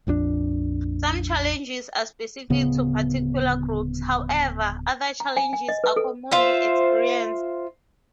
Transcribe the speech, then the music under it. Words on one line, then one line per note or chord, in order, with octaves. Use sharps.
Some challenges are specific to particular groups; however, other challenges are commonly experienced.
A#1 F2 D3 D4
D1 C#3 B3
A#5
G#5
G#5
D#5
B4
A4
F4 C5 E5